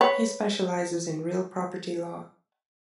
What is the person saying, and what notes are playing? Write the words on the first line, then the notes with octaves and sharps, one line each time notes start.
He specializes in real property law.
B4 C#5